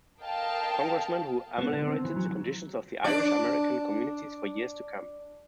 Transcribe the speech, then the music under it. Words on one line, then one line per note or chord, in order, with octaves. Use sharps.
Congressman who ameliorated the conditions of the Irish-American communities for years to come.
A4 A#4 D#5 F5 G5 A5
B3
D3
C4
E3
F#3
D4 D5